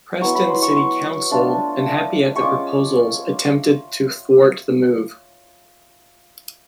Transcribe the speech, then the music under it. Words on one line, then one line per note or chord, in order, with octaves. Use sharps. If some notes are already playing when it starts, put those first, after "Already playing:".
Preston City Council, unhappy at the proposals, attempted to thwart the move.
F#3 B3 E4 C#6
B5
C6
C#6
C6
C#6
A3 D4 F4
C#6
G#3 C#4 F4 D6